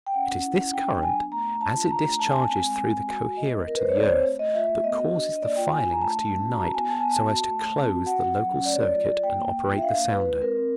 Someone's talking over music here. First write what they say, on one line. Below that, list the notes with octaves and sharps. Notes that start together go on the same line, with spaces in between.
It is this current, as it discharges through the coherer to the earth, that causes the filings to unite so as to close the local circuit and operate the sounder.
G5
C#4 F#5
C#4
E4
C#4
D4 G5
F#3
G5
D4 G#5
B3
A3 A#5
D4
D4 A5
F4
D4 A#5
A3
D4 A5
G#5
A3 A5
C4 G#5
G#3
C4
G#3
F#4 G#5
F#4
A3 D#5
C4
F4 A#4
B4
G#3 C5
C#5
C4 D5
C5
C4 C#5
A3
A3 D#5
F4 E5
A3
B3 D#5
F#4
D4
D4
D#5
A#3 D5
F4 G5
F4 G#5
D4
A#5
A3 A5
A3
C#4
F#4
A#5
E4 A5
B3 G#5
B3 A5
B3 G#5
A5
F#4
F#4
A3
A3
C4
F#4
F#4 F#5
C4
F#3
C#4
A3 D5
C#5
F#3 D5
F4
F4
A#3 G5
A#3
A#3
F4
E5
D4 F5
A#3
E4 B4
G#3
C4 A#4
C4